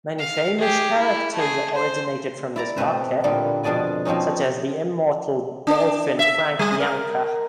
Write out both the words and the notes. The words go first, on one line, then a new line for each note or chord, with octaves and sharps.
Many famous characters originated from this market, such as the immortal "Dolphin" Frank Bianca.
F5
G4 G#4
E4
A3 G#4
C5
E4 D5 A#5
B2 A3 C4 B4 C5
A#2 D3 G3 A#3 B3
F2 B2 D4 G#4 D5 G#5
B2 F3 C4 C#4 D#4
D4
E5
G3
A#4